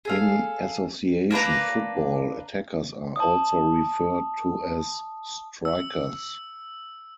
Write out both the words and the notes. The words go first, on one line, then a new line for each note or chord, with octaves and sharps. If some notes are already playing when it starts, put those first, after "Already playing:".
In association football, attackers are also referred to as strikers.
G#4 A4 F5
A#3 D4 B4 A#5
A5 D#6
E6